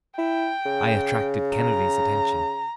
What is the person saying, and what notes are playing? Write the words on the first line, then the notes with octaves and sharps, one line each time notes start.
I attracted Kennedy's attention.
E4 G5
C#3
A#5